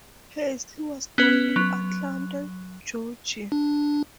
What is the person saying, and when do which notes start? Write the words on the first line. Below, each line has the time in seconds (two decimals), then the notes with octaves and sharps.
Hensley was born in Atlanta, Georgia.
1.18 B3 C#4 B4
1.56 F#3
3.52 D4